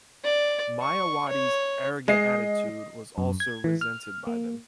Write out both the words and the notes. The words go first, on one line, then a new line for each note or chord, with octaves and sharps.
Mayawati's arrogant attitude was also resented by them.
D5
C#6
C#5
G#3 D#5 C7
F#2
G#6
E3
F6
A#3